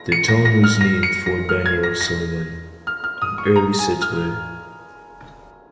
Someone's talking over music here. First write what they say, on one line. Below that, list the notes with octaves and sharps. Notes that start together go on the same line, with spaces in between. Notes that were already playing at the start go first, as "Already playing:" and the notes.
The town was named for Daniel Sullivan, an early settler.
Already playing: A#6
C#7
A#6
A#6
F6
A#6
C#7
A#6
F6
G#6
A#6
A#6
F6
F6
D#6
C#6
A#5
G#5
F6